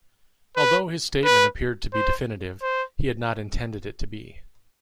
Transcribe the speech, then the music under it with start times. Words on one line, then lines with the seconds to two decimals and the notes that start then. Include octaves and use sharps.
Although his statement appeared to be definitive, he had not intended it to be.
0.57 B4
1.25 B4
1.93 C5
2.62 C5